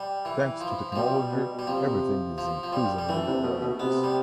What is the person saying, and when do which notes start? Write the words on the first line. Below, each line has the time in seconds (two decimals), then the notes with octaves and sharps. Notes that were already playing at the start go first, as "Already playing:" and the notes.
Thanks to technology, everything’s increasingly wireless.
Already playing: G3
0.25 E3
0.61 F3
0.92 F3
0.96 B2 G3
1.32 B2
1.59 G3
1.67 C3 F3
2.38 F3
2.63 F3
2.73 G3
2.99 G3
3.09 E3 A3
3.27 C3
3.43 B2
3.61 B2
3.80 C3 B3
4.04 G3